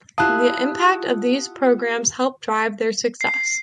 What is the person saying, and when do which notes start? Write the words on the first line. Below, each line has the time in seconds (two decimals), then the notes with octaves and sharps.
The impact of these programs help drive their success.
0.18 E4 F4 G4 F5 F#5 A5 D#6 F#6
3.21 C7